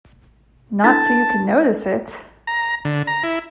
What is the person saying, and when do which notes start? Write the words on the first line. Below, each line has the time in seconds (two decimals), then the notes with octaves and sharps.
Not so you could notice it!
0.84 D4 E4 A4 A5
2.47 A#5
2.85 D3
3.07 A#5
3.24 E4